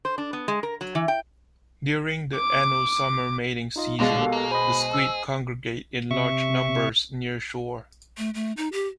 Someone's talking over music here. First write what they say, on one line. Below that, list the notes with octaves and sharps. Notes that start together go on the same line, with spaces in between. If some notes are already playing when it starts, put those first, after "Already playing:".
During the annual summer mating season, the squid congregate in large numbers near shore.
C5
D4
B3
G#3
A#4
F#3
E3
G5
D6
D#4 F4 D#5
B2 D3 G#3 F5 A6 A#6
G4 A4 A#4
A#3
G#4 C5 D#5 B5
E6
C3 E5 C#6
A3
A3
D#4
G4